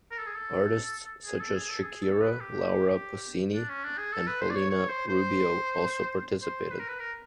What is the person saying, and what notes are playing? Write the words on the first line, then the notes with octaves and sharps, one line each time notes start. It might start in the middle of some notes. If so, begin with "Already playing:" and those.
Artists such as Shakira, Laura Pausini and Paulina Rubio also participated.
A#4
A4
G#4
A4
G#4
A4
G#4
A4
G#4
A4
B4
G4
D4
C#4
D4
G#4
A4
B4
C5
D5
C#5
C#5
C5
C5
C5
B4
A#4
B4
A#4